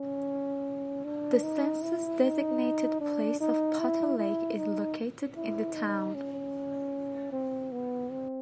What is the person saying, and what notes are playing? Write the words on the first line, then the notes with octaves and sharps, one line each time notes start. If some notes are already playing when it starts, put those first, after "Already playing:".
The census-designated place of Potter Lake is located in the town.
Already playing: C#4
D4
D#4
E4
D#4
D4
D#4
E4
E4
D#4
E4
D#4
C#4
C4
B3
C4